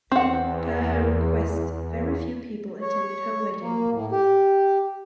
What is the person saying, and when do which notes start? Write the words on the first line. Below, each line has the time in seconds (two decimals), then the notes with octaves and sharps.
Per her request, very few people attended her wedding.
0.12 E2 C4 F#5
2.81 C#5
3.62 A#3
3.92 A2
4.12 G4